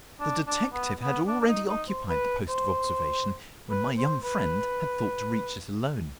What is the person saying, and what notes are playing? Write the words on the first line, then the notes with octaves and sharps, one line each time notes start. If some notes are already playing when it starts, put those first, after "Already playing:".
The detective had already occupied the post of observation when my young friend had thought to reach it alone.
D4
D4
B3
B3
D4
D4
D#4
D#4
C5
B4
C5
B4
C5
B4